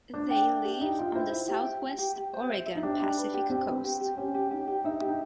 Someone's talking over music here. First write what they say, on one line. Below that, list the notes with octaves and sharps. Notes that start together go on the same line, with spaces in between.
They live on the southwest Oregon Pacific coast.
D4 C5
G5
E5
G4
D#4 G4
F4 G5
E4 C5
E5
G4
G5
G5
G4
G4
C5
E5
E5
D#4
D4 G4
G4
B4
G4
C4 G4
B4
G4
G4
C#4 G4
G4
D#4 G4
G4
D#4 E5
G4
D#4